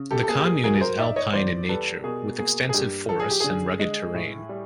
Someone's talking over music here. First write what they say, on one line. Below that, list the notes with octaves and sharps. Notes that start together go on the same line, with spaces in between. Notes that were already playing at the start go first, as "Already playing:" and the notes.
The commune is alpine in nature with extensive forests and rugged terrain.
Already playing: C#3
G4 A4
A4
A#3 G#4
G4
G#4
F#3 G#4 A#4
A#4 C5
D#4 D5 E5
C#5 D#5
E2 C5 D5
G3 A4 B4
B2 G#4 A#4
A#3 G#4
G#4
G2 G4
F3 A4
G#4
G4
D3 G#4
G#3
A2
G3